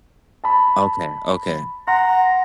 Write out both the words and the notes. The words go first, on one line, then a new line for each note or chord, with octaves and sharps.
Okay, okay.
A5 B5
F#5 A#5 C6